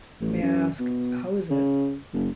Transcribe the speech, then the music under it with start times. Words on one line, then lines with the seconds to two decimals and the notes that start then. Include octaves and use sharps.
May I ask — How is it?
0.21 A1
0.42 F#2
0.80 B2
1.50 C#3
2.14 F#1